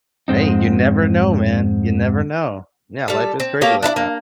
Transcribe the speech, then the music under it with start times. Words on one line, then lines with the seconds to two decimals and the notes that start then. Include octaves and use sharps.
Hey, you never know, man, you never know. Yeah, life is crazy like that.
0.28 F2 G#2 G#3 C4 D#4
3.08 G3 A4
3.40 C4
3.61 A#3 G4 A4 C#5
3.83 D4 E4 B4 D5
3.96 A#3